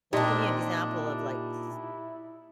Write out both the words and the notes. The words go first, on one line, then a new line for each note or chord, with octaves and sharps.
Like, give me an example of, like, s
A#2 C4 D4 D#4 G4 D#5 A5
E4